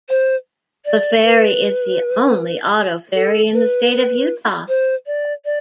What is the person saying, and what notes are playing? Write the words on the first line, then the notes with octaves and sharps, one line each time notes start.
The ferry is the only auto ferry in the state of Utah.
C5
D5
B4
A4
B4
C5
D5
D5